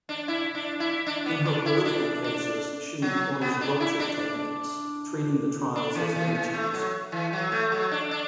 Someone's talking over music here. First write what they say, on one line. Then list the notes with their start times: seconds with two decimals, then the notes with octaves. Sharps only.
In her political cases, she employs "rupture" techniques, treating the trials as lynchings.
0.09 D4
0.28 E4
0.55 D4
0.80 E4
1.07 D4
1.26 B3
1.45 D4
1.66 E4
1.85 D4
2.24 D4
3.02 F#3
3.41 B3
3.61 D4
3.80 E4
4.00 D4
5.76 D4
5.95 E3
6.15 E3
6.35 E3
6.54 A3
6.73 F#3
7.12 E3
7.33 F#3
7.52 A3
7.72 F#3
7.91 D4
8.11 D4